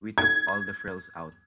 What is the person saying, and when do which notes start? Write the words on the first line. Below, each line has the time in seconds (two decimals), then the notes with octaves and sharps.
We took all the frills out.
0.18 G#6